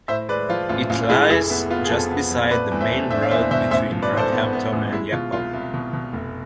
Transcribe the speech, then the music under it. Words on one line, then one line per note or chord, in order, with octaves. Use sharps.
It lies just beside the main road between Rockhampton and Yeppoon.
A2 C5 E5
G#3 B4 D5
F3 F4
A1 F4
A1 F4
G#3 E4 G#4
F1 E4 G#4
B3 E4
B3 F4
G#4
F2 F4 A4
B3
F2
A3 B4 D5
E2
C5 E5
A3
D4 C5 E5
F5
E2 C5 E5
B2 C5 E5
A1 C5 E5
F3
B4 D5
G#2
A4 C5
B3
B3
A1
G#3 E4
B2 F4
C2 F4
C2
B2
B2
F1